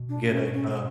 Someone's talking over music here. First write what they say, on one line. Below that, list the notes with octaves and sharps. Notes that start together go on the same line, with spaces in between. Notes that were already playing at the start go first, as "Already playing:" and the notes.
get a a a
Already playing: B2
D4
C#4
C#4